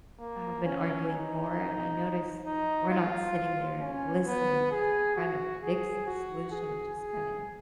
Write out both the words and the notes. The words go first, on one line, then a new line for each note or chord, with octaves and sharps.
have been arguing more and I noticed, we're not sitting there and listening to kind of fix the solution, it just kind of
A#3
C#4
D#4
D#4
F4
C#4
B3
G#4
F#4
G#4
F#4
G#4
G#4